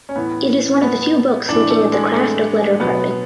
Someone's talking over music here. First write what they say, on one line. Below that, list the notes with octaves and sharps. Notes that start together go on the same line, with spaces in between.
It is one of the few books looking at the craft of letter carving.
C#4
A2 E3 B3
B3
A2 E3 D4
A3
G#3
A3
B2 F#3 B3